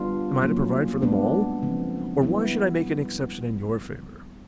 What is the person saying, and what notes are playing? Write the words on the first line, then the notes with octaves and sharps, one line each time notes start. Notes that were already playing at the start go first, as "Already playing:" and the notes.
Am I to provide for them all? Or why should I make an exception in your favour?
Already playing: G3 B3 D4 F4
F#3 A#3 C#4
G#3 B3 D4
C#3 F3 A3 C4
G3 B3 E4